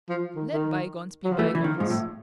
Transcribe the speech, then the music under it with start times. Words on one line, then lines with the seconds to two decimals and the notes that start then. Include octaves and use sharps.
Let Bygones Be Bygones.
0.09 F3
0.35 D#3
0.53 D#3
1.25 F#3
1.32 F3
1.39 E3 A3
1.55 E3
1.64 D#3
1.77 G#2 F3
1.90 A2